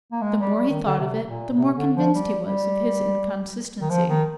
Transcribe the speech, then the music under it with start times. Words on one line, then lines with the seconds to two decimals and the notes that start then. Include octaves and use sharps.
The more he thought of it the more convinced he was of his inconsistency.
0.12 A#3
0.21 G#3
0.41 G3
0.55 G3
0.69 D#3
0.85 D3
0.99 C3
1.28 A#2
1.57 C3
1.76 D3
1.96 F3
2.15 G3
2.44 G3
3.81 D#3
3.90 F3
4.09 D#3